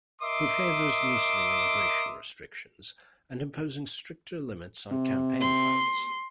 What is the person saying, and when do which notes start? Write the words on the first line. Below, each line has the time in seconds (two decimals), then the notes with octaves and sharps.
He favors loosening immigration restrictions and imposing stricter limits on campaign funds.
0.21 A#4 D#5 E5 C6 D6 D#6
4.91 C3
5.41 C6